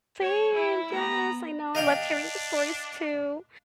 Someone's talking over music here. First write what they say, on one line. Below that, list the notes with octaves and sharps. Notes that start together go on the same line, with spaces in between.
Same, yes, I know, I loved hearing your stories too,
C#5
E4
B3 A#5
D4 D#5 F5 G5